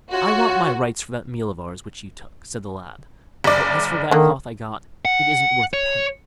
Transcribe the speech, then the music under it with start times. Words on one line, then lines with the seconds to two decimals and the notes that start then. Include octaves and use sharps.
'I want my rights for that meal of ours which you took', said the lad; 'for, as for that cloth I got, it isn't worth a penny.'
0.13 F4 F#4 C#5 F#5
3.44 F#1 D5
4.11 D3 D#3 A#3
5.05 F#5
5.74 C#5